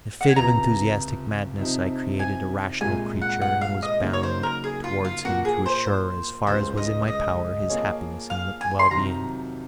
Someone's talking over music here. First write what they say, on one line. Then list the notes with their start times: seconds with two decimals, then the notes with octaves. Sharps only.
In a fit of enthusiastic madness I created a rational creature and was bound towards him to assure, as far as was in my power, his happiness and well-being.
0.21 F#5
0.29 G#5
0.36 C#2 C3 F3 A#5
1.58 C3 F3 C4 D#4
2.19 G#5
2.81 C2 A#2 G#3 G#5
3.21 F#5
3.42 F#5
3.61 F5
3.83 D#5
4.02 C#3 F#3 A#3 D#4
4.13 C#5
4.23 C5
4.43 A#4
4.64 G#4
4.84 F4
5.05 F4
5.25 A#2 F3 A#3 F#4
5.45 G#4
5.66 C5
5.86 C5
6.47 C#2 C#3 G#3 C5
6.77 D#5
7.08 D#5
7.69 F3 A#3 F4 G#4 C#5
8.30 F5
8.61 G#5
8.79 C6
8.91 F2 C3 D#3 F#3 A#5